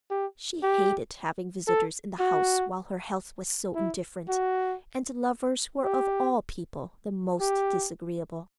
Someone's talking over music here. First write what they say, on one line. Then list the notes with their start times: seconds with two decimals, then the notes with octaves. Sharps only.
She hated having visitors in the house while her health was so indifferent, and lovers were of all people the most disagreeable.
0.10 G4
0.63 G4
1.67 A4
2.20 F#4
3.75 E4
4.28 F#4
5.84 G4
7.40 G4